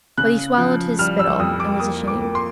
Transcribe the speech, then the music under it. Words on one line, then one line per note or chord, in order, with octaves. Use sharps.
But he swallowed his spittle, and was ashamed.
C#3 F#6
F3
G3 F6
E6
F2 D#6
D6
A#3 D#6
D6
A#3
C6